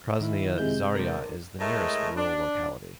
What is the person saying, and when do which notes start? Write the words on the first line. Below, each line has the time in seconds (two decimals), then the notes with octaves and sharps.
Krasnaya Zarya is the nearest rural locality.
0.20 D#3 E4
0.58 C3 G#3 G6
0.95 D4 A#4
1.60 A2 G#3 A3 A#4 D#5
2.17 D4